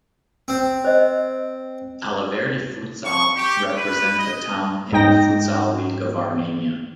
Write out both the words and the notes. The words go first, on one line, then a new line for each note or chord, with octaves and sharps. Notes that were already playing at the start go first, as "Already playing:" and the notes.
"Alaverdi futsal" represents the town in the Futsal League of Armenia.
C4
C5 D#5
C#6
G4
B4
D#5
G#2 D#4 G5 A#6